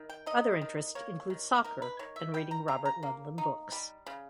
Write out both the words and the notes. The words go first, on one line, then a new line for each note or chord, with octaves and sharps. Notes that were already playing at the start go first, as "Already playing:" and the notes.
Other interests include soccer and reading Robert Ludlum books.
Already playing: D#3
G5
D#4 D#5
D#3
A#3 C#5
D#3
D#4 A#4
B4
D#3 C#5
E5
G3 G5
A#5
C#3 A#5
A#5
A#3
D#4
G3
C#3